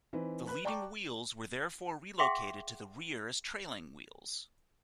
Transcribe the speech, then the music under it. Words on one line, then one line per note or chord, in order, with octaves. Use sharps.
The leading wheels were therefore relocated to the rear as trailing wheels.
E3 C4 D#4 B4
B4 B5 F#6
D5 G5 A5 A#5 C#6 D6
G#4 E5 F#5 G5 C6 D6